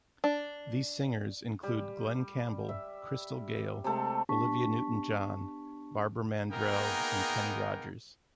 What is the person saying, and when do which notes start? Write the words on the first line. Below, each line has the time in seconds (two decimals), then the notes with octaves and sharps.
These singers include Glen Campbell, Crystal Gayle, Olivia Newton-John, Barbara Mandrell, and Kenny Rogers.
0.24 D4
1.63 G3
2.69 E5
3.84 C3 G#3 A3 A4
4.29 B3 D4 G4 A5 C#6 B6
6.51 A#3 B3 D#4 G#4 A#4 G5